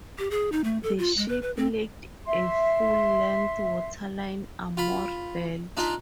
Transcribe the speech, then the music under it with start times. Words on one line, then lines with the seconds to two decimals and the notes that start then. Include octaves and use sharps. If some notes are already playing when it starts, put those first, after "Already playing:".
The ship lacked a full-length waterline armor belt.
0.18 G4
0.31 G#4
0.52 D#4
0.64 A3
0.83 A4
0.99 F4
1.17 G#3
1.28 B4
1.42 B4
1.57 C4
2.26 E5 C6
4.77 F4 B5
5.77 D4 D#4 F4